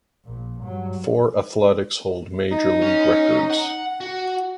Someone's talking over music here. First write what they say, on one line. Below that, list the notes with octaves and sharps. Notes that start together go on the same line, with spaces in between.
Four Athletics hold Major League records.
A#1 A#2
G2 F#3
D#4
C#4
F#5
F#4